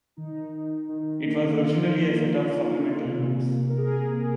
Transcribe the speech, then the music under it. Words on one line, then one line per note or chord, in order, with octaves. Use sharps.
It was originally a set of supplemental routes.
D#3 D#4
D#3
D#3
A#3
D#3 F4
D#3
A#3
A#3
C3
C3
A#4
C3 G#4
C3 A#4